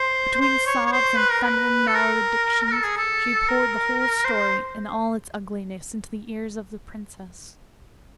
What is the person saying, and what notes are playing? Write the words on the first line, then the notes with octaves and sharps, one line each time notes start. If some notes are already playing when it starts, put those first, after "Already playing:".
Between sobs and feminine maledictions she poured the whole story, in all its ugliness, into the ears of the princess.
Already playing: C5
C5
C#5
C#5
C5
B4
A#4
B4
A4
A#4
A4
G#4
A4
A#4
C5